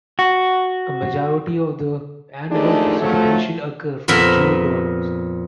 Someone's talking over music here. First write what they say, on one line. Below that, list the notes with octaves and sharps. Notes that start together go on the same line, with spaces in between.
A majority of the annual precipitation occurs from June to August.
F#4
D#2 F3 G#3 A3 D4 D#4
C3 F3 F#3 A3
F2 A#2 B3 A#4 E5